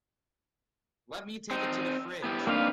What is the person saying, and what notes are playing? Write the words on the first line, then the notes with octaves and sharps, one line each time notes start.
Let me take it to the fridge!
C4 D#4
B3 E4 G4
A#3 C4 D4 D#4 B4 F5